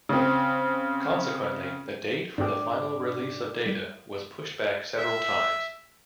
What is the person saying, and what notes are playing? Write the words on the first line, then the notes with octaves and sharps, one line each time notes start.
Consequently, the date for the final release of data was pushed back several times.
C#3 C4
G#2 D4 D5 G5 D6
G3
E5 E6